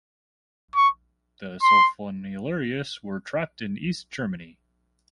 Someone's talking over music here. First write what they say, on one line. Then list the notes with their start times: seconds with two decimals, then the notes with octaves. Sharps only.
The sulfonylureas were trapped in East Germany.
0.76 C#6
1.62 C6